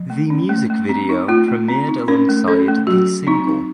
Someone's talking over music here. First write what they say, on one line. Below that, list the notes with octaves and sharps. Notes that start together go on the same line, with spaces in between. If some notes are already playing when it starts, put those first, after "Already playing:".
The music video premiered alongside the single.
Already playing: F3
A3
C#4
A3
A3
C4
D#4
A3 F4
A3
C4
D#4
C#4 A#4
A3
C#4 A4
A3
F#3 F#4
F#3
C4 D#4
D#4